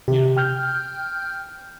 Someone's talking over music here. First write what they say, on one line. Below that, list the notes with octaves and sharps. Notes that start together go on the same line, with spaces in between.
you know?
C3 G4
G5 F6 G6